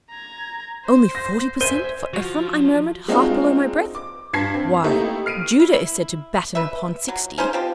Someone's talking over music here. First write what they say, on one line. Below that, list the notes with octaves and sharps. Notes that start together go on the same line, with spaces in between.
'Only forty per cent for Ephraim!' I murmured, half below my breath. 'Why, Judah is said to batten upon sixty.'
A#5 G#6
C5
A#6
C5 E5 G#5 D#7 G7
F3 F#4
G#3 C4 D4 D#4 F4 F#4
D6
G2 A5 G#6 B6 C7
C4
A3 A#3 D#4 E4 G4
F6 C7 D7 D#7
E4
E4
B4 E5
F#3
C#4 D#4 G#4 C5
F3 C4 G4